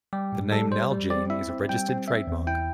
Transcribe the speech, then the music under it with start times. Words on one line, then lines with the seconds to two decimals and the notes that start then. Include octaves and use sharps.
The name "Nalgene" is a registered trademark.
0.13 G3 G4
0.32 A2
0.52 G3 A4
0.71 G3 C5
0.91 G3
1.10 C4 D5
1.30 E4 E5
1.49 C4
1.69 G3 G5
1.89 C4
2.08 C4 E5
2.27 E2
2.47 E4 G5